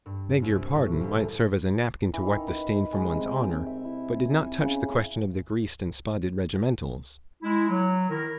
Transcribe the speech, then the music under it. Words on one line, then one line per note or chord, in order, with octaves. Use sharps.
"Beg your pardon" might serve as a napkin to wipe the stain from one's honor, but did not touch the question of the greased and spotted regimentals.
G2
C2
A2
A1
E3
D#3
B4
G#3
C3
G5
E5
E4
G#5
C#3
G#3 E4
F#3
D#3 E4 A#4